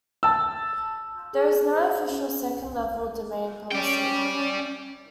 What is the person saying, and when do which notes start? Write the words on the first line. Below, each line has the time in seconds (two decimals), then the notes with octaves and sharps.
There is no official second-level domain policy.
0.23 A5 E6
1.33 G#4
1.72 C5
2.09 C#4
3.72 C#4 D5 G5